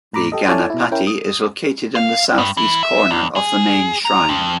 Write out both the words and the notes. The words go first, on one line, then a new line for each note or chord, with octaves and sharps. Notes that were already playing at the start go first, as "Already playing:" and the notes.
The Ganapati is located in the south east corner of the main shrine.
A2 A#5 B5 D6
G4 A4 D#5
E4 A4 C#5 D5 G#5 A5
B2 E4
C#4 E4 A#4 G5
D#6
F5
G2
E3
E5
E2
G#4
A#5
F2